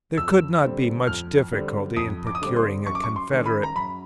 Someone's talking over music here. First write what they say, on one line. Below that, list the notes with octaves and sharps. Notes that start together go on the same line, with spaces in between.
There could not be much difficulty in procuring a confederate.
F2 E6
D3 G3 C4
F2 F6
D3 G3 C4
F2 D#6
D6
D#6
D3 G3 C4 D6
C6
F#2 C#6
D6
C#6
C6
D#3 G#3 C#4
B5
A#5
F#2 B5